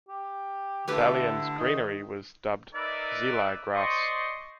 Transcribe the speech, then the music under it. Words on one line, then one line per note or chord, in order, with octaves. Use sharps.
Dalian's greenery was dubbed "Xilai Grass".
G4
D3 A3 E4 G4 B4
D#3 D#5
D#4 A#4 B4 D5 E5
C5 D5 D#5 C6 C#6